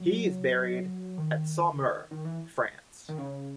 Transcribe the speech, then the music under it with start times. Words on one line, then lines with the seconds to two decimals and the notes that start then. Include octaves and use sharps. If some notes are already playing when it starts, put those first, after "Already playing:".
He is buried at Saumur, France.
Already playing: F#3
1.18 D#3
2.11 D#3
2.25 E3
3.09 D#3
3.18 C#3